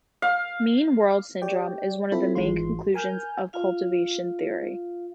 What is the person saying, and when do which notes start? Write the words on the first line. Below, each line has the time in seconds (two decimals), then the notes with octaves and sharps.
Mean world syndrome is one of the main conclusions of cultivation theory.
0.22 F5
1.42 G4 C#5 D5 G5
2.12 C4 E4 F4 A4 B5
2.35 G#1 G#2 E3 G#3 F4 C6
2.79 F#4
2.94 A#4 G#5 F6 G6
3.53 F4 F5